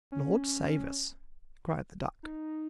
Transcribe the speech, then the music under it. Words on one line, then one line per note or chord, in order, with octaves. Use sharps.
"Lord save us!" cried the duck.
C#4
D#4